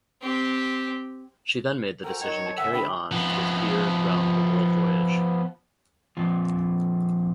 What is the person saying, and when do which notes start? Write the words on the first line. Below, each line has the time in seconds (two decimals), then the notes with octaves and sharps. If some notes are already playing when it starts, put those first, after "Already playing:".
She then made the decision to carry on with here round the world voyage.
0.22 C4 G4
2.04 F#4 A4 A#4 C5 G5 G#5 A#5
2.21 D#3 F#3 F#4 C#5 A5
2.43 C5 A5
2.57 C2 D3 C#5 E5 F#5 G#5 E6
2.73 D4 G#4 G5 B5
3.11 F3 B3
6.17 F2 A#2 F3